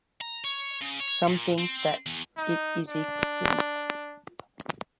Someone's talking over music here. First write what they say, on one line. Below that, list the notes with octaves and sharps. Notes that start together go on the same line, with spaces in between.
Some think that it is extinct.
A#5
C#5
C#3
C#5
A#2
C4
E2
D#4
D4